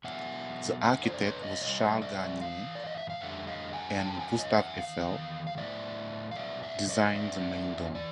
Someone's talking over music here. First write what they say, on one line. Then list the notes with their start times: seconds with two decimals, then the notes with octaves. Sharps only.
The architect was Charles Garnier, and Gustave Eiffel designed the main dome.
0.04 B2 F#3 E5 F#5
0.83 F#2 D3 F#3 E5 F#5
1.03 C5 D5
1.14 D5
1.23 B4 C#5
1.42 C#5 D#5
1.62 B2 G3 C#5 D#5
2.02 D5 E5
2.41 G#2 E3 F5
2.75 D5
2.87 D#5
2.97 E5
3.10 F5
3.20 F2 D3 G3 E5 F#5
3.47 D#5 F5
3.73 F#5 G#5
3.99 F2 D3 F#3 G5 A5
4.10 A5
4.19 F#5 G#5
4.39 C#5 D#5
4.59 E5 F#5
4.79 E2 C3 D#3 F5
5.47 F5
5.57 A2 F3 D5 E5
6.31 F5
6.36 B2 F#3 D5 E5
6.63 D5 E5
6.89 C#5 D#5
7.15 F2 D3 F3 D5 E5
7.95 E3 D5